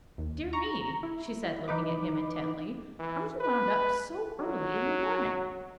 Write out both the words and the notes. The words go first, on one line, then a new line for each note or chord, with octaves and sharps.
"Dear me!" she said, looking at him intently; "are you wound up so early in the morning?"
D#2
A#5 C#6
E4
E3 D#4 B4 D6
E3
B4
F#3